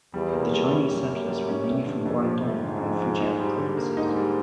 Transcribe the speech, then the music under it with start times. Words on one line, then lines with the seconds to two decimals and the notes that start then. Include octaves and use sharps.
The Chinese settlers were mainly from Guangdong and Fujian provinces.
0.14 E2 G3
0.33 A#3
0.53 G3
0.72 C#4
0.91 F#2 G3
1.10 A#3
1.29 G3
1.49 C#4
1.67 G2 A3
1.86 D3
2.05 F2
2.24 F3
2.43 G#2 A3
2.63 D3
2.82 F2
3.01 F3
3.20 D#4
3.40 G3
3.59 D3
3.77 A#3
3.97 G#2 D#4
4.16 G3